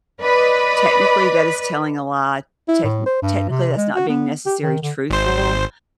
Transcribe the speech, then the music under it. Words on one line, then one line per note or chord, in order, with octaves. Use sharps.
technically, that is telling a lie, techni technically, that's not being necessary truthful,
B4 D5 D#5 B5
E4
A2
C5
G2
C3
G#3
F#4
B3
G4
D#3
D3
G#1 C5